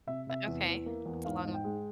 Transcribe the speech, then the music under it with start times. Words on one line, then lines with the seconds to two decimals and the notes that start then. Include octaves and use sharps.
Eh okay, that's a long
0.07 C3 E5
0.27 C3 E5
0.47 E2
0.67 E3
0.86 A#3
1.06 E2
1.25 G#2 F5
1.45 G#2
1.54 G5
1.64 G#3